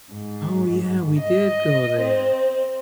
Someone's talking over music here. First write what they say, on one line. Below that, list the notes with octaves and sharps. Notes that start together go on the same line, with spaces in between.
"Oh yeah, we did go there."
G#2
D#5
C4